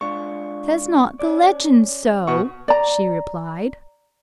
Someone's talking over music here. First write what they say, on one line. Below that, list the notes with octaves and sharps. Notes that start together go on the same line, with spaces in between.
"Says not the legend so?" she replied.
G#3 D4 F4 C#6
C#4 D5
B2 F#5 C#6
D5 A#5